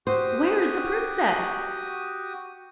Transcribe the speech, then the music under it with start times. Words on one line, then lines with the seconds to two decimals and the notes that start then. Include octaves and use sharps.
'Where is the princess?'
0.07 F#4 G4 C5 D#6